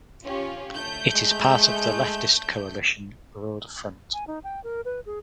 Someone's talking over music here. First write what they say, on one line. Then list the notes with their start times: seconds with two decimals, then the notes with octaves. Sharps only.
It is part of the leftist coalition Broad Front.
0.23 C#4 F4 G4
0.75 A3 G6
1.13 G#3
4.14 G#5
4.27 D#4
4.44 G5
4.64 A#4
4.85 B4
5.06 G#4